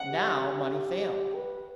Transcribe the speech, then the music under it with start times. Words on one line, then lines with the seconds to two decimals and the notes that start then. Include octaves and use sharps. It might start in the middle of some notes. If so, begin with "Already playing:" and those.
Now money failed.
Already playing: F#5
0.09 G4
1.35 B4